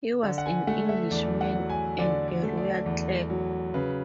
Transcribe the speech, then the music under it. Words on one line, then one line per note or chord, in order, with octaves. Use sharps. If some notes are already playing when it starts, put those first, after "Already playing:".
He was an Englishman, and a royal clerk.
D3
F#5
G#5
A3 F#5
E5
E2 D5
F#5
F#3
G#5
D3 D5
D5
A3
D5
E2
F#3
C#3 B4